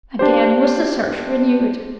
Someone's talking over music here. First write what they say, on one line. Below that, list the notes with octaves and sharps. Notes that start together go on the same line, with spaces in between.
Again was the search renewed.
D4 G4 C5